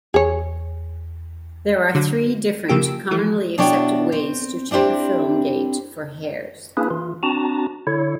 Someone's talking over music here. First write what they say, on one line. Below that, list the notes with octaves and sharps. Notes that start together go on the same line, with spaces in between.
There are three different commonly accepted ways to check a film gate for hairs.
E2 G#4 C#5
D3 F#3
C#3 F3 A#3 G4 E6 D7
E3 F3 A3
B2 D4 E4 C#5 G5
C4
C4 D4 E4 G4 C5
A#3 C#4 D4 E4 G#4 B4
E3 F4
C4 D4 F#4 A5 A#5
D3 E4 C#5